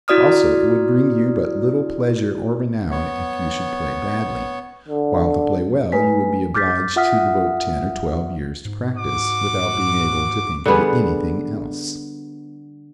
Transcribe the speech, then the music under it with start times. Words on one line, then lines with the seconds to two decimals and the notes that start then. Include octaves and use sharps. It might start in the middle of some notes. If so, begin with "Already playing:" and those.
Also, it would bring you but little pleasure or renown if you should play badly; while to play well you would be obliged to devote ten or twelve years to practice, without being able to think of anything else.
0.08 E4 F#4 D5 D#6 F6
2.91 B3 C#5
4.88 D3
5.92 A3 B4 G#5 B6
6.54 D6 F6 G6 A6 B6
6.96 F4 E5 F#5 D#6 F6 B6
8.65 G#2
8.94 F#4 D6
10.66 D3 G3 B3 G#4